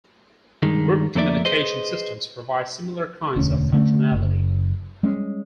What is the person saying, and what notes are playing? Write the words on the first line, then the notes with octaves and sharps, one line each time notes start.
Group communication systems provide similar kinds of functionality.
G2 D#3 G#3
F2 A3 A#3 C4 D5 E5
G#4 B4 C5 D#5
E1 D2 D3 C#4
D3 A3 C#4
F#1
G3 G#3 C#4